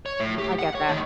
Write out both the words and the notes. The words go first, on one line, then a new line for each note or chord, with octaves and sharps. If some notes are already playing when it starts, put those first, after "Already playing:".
Mhm, I get that.
C#5
A2
G4
F#5
C#5
D2 D#3